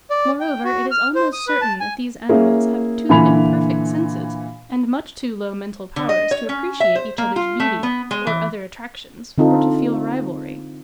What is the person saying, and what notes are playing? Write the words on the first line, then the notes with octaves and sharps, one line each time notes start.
Moreover it is almost certain that these animals have too imperfect senses and much too low mental powers to appreciate each other's beauty or other attractions, or to feel rivalry.
D5
G5
F#4
F6
C5
D#6
B4
A5
G#5
A#3 C#4 E4 G#4
A#2 D3 E3 G#5 B5 F7
D3
D#5
C#5
C#4
E5
C5
A#3
F4
A3
B3
G#3
E3
D3 C4 D#4 F4 A4